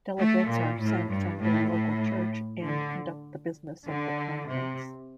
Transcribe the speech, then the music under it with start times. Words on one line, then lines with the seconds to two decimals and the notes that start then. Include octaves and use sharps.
Delegates are sent from their local church and conduct the business of the Conference.
0.19 A3
0.51 A#2
0.81 A2
1.12 G2
1.42 A2
1.73 A2
2.65 D3
3.87 D3
4.48 C3